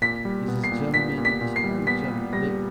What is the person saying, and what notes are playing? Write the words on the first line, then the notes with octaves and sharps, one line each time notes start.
is this gentleman this Irish gentleman, they
A#2 B6
G3
B3
C7
A#2
A#2 B6
A#2
B6
A#2
C7
G3
B3 B6
A#2
G3 A#6